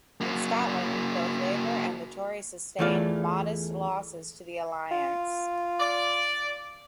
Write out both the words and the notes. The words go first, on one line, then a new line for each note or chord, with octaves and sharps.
In Scotland, both Labour and the Tories sustained modest losses to the Alliance.
F#3 A#3
E2 E3 A3 F4 D5 F5
F4
D5